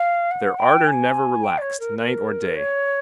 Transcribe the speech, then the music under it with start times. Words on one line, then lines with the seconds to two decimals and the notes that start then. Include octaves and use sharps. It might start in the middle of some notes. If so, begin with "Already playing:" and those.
But their ardor never relaxed, night or day.
Already playing: F5
0.31 F#5
0.58 G5
0.87 G#5
1.43 G5
1.57 D5
1.61 C#5
1.79 A#4
1.99 A#4
2.55 C#5